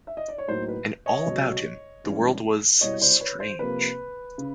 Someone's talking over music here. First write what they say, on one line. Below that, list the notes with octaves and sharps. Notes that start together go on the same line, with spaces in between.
And all about him, the world was — strange.
E5
D#5
D5
C#5
A2 F#3 A#3 D#4 C5
B4
C#5 D#5
C#2 B2 F#3
G2 E3 G#3 C#4 E4
C2 B2 G3 C#5 D#5
C5 D5
B4 C#5
C5
C3 F3 A#3 B4
C#3